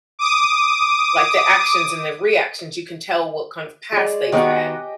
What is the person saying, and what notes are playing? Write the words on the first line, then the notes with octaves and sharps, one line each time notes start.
like, the actions and their reactions. You can tell what kind of past they've had
D6 D#6
G#3 D5
D#3 B3 F#4 G4 D#5 G5